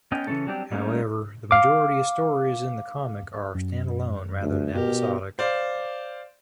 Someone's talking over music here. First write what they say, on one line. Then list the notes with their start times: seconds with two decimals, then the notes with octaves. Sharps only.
However, the majority of stories in the comic are standalone rather than episodic.
0.12 B3 C#4 D#5 G5
0.27 C#3 E3 A3 C#4 A4
0.47 F#3 G3 C4 D4 G4
0.71 G3 A3 A#3 C#4 D#4
1.51 F5 D6
3.55 F#2
4.41 D2
4.74 B2 G4 A#4
5.39 C5 D5 F5